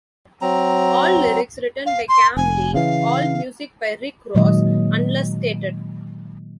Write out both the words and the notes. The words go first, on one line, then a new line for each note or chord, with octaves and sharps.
All lyrics written by Kam Lee, all music by Rick Rozz, unless stated.
F#3 C4 A#5
F5
C6
F1 G#5
C#3 E3 F5
A#2 D#3 F#3 G#3 A#3 D#5